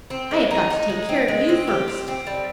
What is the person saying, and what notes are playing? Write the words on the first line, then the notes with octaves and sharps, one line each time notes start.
I have got to take care of you, first.
C4
G#3
D#4
D#4
G#3
C4
G#3
C4
G4
C4
C4
G3